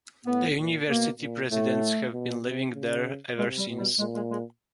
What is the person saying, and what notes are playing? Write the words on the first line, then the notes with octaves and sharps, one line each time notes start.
The university presidents have been living there ever since.
A2 B3
A#2
B2 A#3
A#2
A2 A3
B2
C3
C#3
C3 G#3
G3
B2
G3
A#2 G#3
G#3
G#3